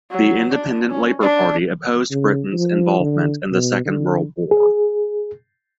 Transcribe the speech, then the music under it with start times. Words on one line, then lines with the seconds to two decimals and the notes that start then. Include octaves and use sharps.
The Independent Labour Party opposed Britain's involvement in the Second World War.
0.11 F#3
0.52 D4
0.90 C#4
1.21 D4
2.11 C#3
2.52 F3
3.00 D3
3.52 B2
3.85 D3
4.51 G#4